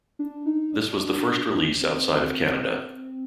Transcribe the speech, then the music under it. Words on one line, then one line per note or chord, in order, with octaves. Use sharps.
This was the first release outside of Canada.
D4
D#4
D4
C4